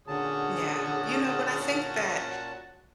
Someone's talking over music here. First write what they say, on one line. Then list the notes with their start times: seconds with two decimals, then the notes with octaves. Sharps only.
Yeah. You know what, I think that
0.07 A#2 D3 C#4 F#4 G#4 A5